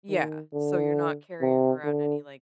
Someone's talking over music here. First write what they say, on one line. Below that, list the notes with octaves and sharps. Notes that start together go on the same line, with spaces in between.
yeah, so you're not carrying around any, like,
D#3
D3
C3
D3